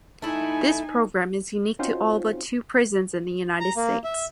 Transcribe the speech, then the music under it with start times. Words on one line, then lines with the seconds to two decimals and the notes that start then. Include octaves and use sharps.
This program is unique to all but two prisons in the United States.
0.22 A3 D#4 E4 G#5
1.79 C4 C#4 D#4 F4 F#4 C5
3.60 A#5
3.76 A#3
4.04 E5